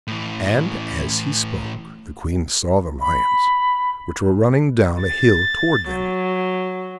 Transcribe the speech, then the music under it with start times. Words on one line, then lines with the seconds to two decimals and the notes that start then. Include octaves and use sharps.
And, as he spoke, the Queen saw the lions, which were running down a hill toward them.
0.07 A2 E3
3.01 B5
5.02 A6
5.88 F#3